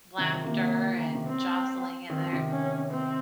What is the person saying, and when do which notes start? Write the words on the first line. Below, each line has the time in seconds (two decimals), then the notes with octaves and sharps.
laughter and jostling in there.
0.18 C3 D#3
0.33 F3
0.45 C3 D#3 A#3
0.86 F3
0.96 D#3
1.06 C#3
1.15 C3 D#3
1.28 C4
2.09 D#3 C4
2.22 F3
2.33 C3 D#3
2.50 C#4
2.91 C4